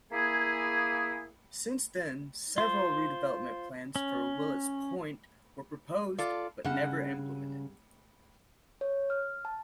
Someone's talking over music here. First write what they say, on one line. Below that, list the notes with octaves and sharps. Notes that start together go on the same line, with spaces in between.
Since then, several redevelopment plans for Willets Point were proposed, but never implemented.
A#3 E4 G#4
F4 C5
C#4
F4 A4 D5
G2 C#3 F#5
C#5
F6
A5